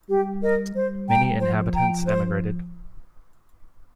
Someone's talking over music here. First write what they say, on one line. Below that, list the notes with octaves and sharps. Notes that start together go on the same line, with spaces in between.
Many inhabitants emigrated.
G3 G4
A#4 D#5
G3 C5
G5 A#5
F3 C5
G5 A#5
C5